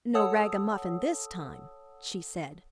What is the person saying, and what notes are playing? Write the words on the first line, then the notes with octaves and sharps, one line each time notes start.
"No ragamuffin this time," she said.
A4 C#5 F#5 A5 D#6 E6